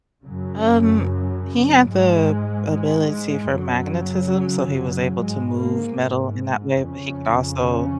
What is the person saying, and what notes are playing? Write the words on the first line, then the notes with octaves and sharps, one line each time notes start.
Um, he had the ability for magnetism, so he was able to move metal in that way, but he could also
F#2 C#3 F#3
G#2 G#3
G#3
F#2 C#3 F#3
G#2 G#3
A#3
F2 C#3 C#4
C#4